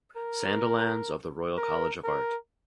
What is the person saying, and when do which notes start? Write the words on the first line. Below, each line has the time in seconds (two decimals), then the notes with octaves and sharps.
Sandilands of the Royal College of Art.
0.17 A#4
1.58 A#4
2.04 A#4